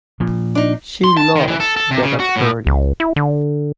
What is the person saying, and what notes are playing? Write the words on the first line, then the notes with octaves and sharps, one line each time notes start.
She loves to get up early.
A#2 F3
D4 D#4
C6
A5
D#3
E3
A4
A4
C3
C#3
F#4
A2
C#2
E4
D3